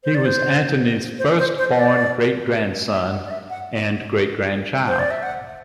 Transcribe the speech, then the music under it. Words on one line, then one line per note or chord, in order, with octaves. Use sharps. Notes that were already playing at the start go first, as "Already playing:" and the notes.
He was Antony's first born great grandson and great grandchild.
C5
D5
C5
C5
C5
C5
D5
E5
F#5
D5
E5
F#5
C5
D5
E5
F#5